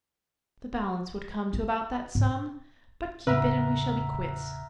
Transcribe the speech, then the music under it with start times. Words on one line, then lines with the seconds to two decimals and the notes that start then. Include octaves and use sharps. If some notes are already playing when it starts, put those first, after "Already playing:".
"The balance would come to about that sum; but keep it, and we shall be quits."
1.53 E4
2.15 G#2 B2
3.27 E1 A2 C#3 A#4 B4 E5 F#5